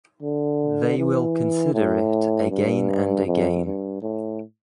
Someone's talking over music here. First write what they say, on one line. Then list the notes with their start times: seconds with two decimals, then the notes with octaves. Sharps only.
They will consider it again and again.
0.22 D3
0.98 E3
1.74 A2
2.50 G2
3.27 F2
3.65 G2
4.02 A2